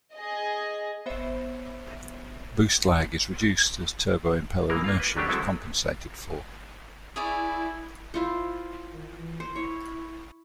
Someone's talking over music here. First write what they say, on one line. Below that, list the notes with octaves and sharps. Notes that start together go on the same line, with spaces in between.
Boost lag is reduced as turbo impeller inertia is compensated for.
G#4 D#5
B3 C5 C#5 E5
E3 G#3 A#3 A#4
A#3 F4 F5
B4
F#3 A3 B3 C#4 D4 G4
D3 F#3 G#3 C4 E4 A4
E4 G#4 C#5 D5
E4 F4 C5
D#3
E3
C5
E4 C#5